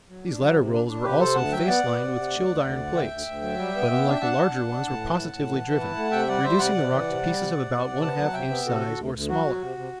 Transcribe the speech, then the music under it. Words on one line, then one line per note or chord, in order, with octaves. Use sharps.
These latter rolls were also face-lined with chilled-iron plates; but, unlike the larger ones, were positively driven, reducing the rock to pieces of about one-half-inch size, or smaller.
F#3
D4
F#3
C3
D4
D4
C3 G4 B4
C3 A4 C5
D2 F#5 A5
F#3 E5 G5
B3 D5 F#5
B3
C3
C3
D2
D2
D2
D3
D2 E5 G5
D2
D2
F#3
G3
B3
B3
D4
G5
D4 F#5 A5
D4
D4
D4
A2
E3
A2
A2
E3
E3
E4
A3
C3 E5 G5
G3 D5 F#5
G3 C5 E5
C3 D5 F#5
C3
E3
C3
G3
C3
C3
C3
C3
B3 F#5 A5
F#3
C3 E5 G5
B3
C3 F#4 A4
D2
D2
D2
F#3 F#4
F#3
C3
C3